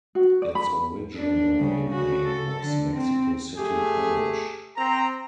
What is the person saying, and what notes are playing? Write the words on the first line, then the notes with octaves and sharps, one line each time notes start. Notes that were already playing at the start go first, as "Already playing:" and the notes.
Its original name was Mexico City College.
F#4
D5
B5
D4
C#3 G3
C#3 F#4
A4
D3
C4
A3 G4 G#4
C4 A#5